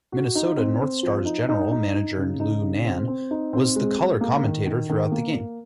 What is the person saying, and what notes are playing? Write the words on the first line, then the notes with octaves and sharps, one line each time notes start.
Minnesota North Stars general manager Lou Nanne was the color commentator throughout the game.
F#4
D#4
C4
C4
F3
D#4
D#4
D#4
D#4
C#3
D#4
C#3
C4
C4
D#4
C4
G#3
G#3
A#3
D#3
D#3
D#3
A#3
A#3